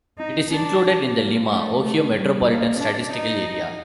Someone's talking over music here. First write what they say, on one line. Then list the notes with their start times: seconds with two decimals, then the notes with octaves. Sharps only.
It is included in the Lima, Ohio Metropolitan Statistical Area.
0.18 D#4
0.51 D4
1.16 A#3
1.49 A3
1.82 A3
2.14 G3
2.47 A#3
2.80 D4
3.12 D#4